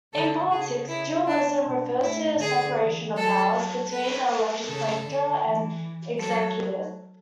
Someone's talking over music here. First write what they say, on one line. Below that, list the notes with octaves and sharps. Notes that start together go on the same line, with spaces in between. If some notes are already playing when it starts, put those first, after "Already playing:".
In politics, dualism refers to the separation of powers between the legislature and executive.
D3 A4
C#3 G#4
E4
D4
B2
A2 E4
D3 G#4
E3
F#3 A4
B4
C#3 A4
D3
E3
F#3 A4